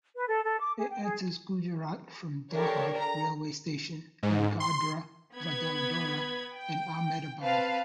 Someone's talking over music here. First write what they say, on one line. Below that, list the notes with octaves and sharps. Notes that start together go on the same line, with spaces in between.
It enters Gujarat from Dahod railway station then Godhra, Vadodara and Ahmedabad.
B4
A4
A4
D6
G#4
G5
G#4
D4 G4 A4 A#4 C#5
A#5
G#2
C6
B3 B5 G#6
G5
C4 B4 F5 A5